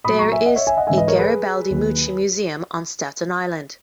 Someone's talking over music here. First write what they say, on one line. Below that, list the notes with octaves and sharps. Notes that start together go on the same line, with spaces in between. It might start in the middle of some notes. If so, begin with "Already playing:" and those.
There is a Garibaldi-Meucci museum on Staten Island.
A#2 F#3 B5 D#6
A#5 C#6
E5 G#5
D#5 F#5
C#5 E5
E5 G#5
D#5 F#5
G#2 E3 G#3 E5 G#5
B4 D#5
A#4 C#5
G#4 B4
D#2 D#3 F#3